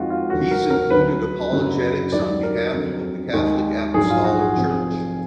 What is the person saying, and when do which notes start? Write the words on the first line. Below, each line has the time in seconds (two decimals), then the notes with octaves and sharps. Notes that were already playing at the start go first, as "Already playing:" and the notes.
These included apologetics on behalf of the Catholic Apostolic Church.
Already playing: F2 D#3 G#3 F4 F#4
0.10 F4
0.30 F1 D#2 D3 F#4
0.51 A#4
0.70 A#4
0.90 D2 D3 F#3 B4
1.52 F#1 F#2 D3 F#3
2.12 D#2 D#3 F#3 D5
2.43 A#4
2.73 F2 D3 F#3
3.33 D#2 D#3 G#3
3.94 A#1 G#2 F#3 G#4
4.10 F4
4.24 F#4
4.40 G#4
4.55 F1 F2 F3